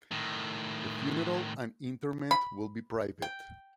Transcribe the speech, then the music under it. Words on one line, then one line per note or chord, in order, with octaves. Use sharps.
The funeral and interment will be private.
A2 D#3
B5
G5